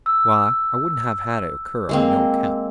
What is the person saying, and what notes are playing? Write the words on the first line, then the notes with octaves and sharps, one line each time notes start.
Why, I wouldn't have had it occur on no account.'
E6
G#3 A#3 C4